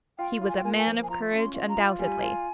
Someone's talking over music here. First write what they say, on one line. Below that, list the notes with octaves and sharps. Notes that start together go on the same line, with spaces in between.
He was a man of courage undoubtedly.
F4 G5
F4
G#5
G5
A#3 G#5
G#5
F3
G#5
F4 A#5
C#4
C6
F4
A#5
F4
G3 G#5
F4